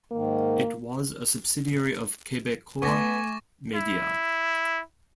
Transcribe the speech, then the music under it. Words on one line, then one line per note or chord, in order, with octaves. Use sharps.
It was a subsidiary of Quebecor Media.
G#2 D#3 A#3
A3 B3 G#5 C#6 D6 A#6
E4